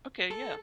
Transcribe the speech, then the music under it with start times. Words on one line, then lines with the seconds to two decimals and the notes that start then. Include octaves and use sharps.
Okay, yeah.
0.31 A4